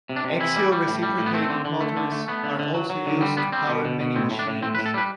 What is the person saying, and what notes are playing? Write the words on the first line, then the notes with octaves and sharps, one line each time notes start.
Axial reciprocating motors are also used to power many machines.
C3
D4
C3
E3 E4
G3
G3
A2
G3
A2
B3
A3 C4
D3
D3
A3
D3
A3
A3 B3
D3
D3
F#3
F#3
D3
G3 C4
G3 B3
G3 C4
B2
B2
B2
A2 C4
A2
D4
A2
A2 C4
B4
A2
A4
G3 B4